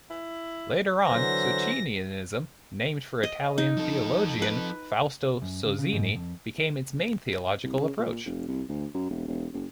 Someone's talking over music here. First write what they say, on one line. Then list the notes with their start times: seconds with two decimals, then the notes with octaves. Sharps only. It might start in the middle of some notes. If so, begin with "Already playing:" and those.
Later on, Socinianism, named for Italian theologian Fausto Sozzini, became its main theological approach.
0.10 E4
1.08 D3 E3 F#3 C5 A#6
3.23 D#5
3.58 D#4
3.77 F3 A4
4.42 B4
5.42 F#2
5.65 C#3
5.78 C#3
5.93 G#2
6.16 F2
7.63 C2
7.78 C#3
7.99 A#2
8.26 F1
8.48 C2
8.69 D2
8.94 F#2
9.10 E1
9.27 E1
9.53 F#1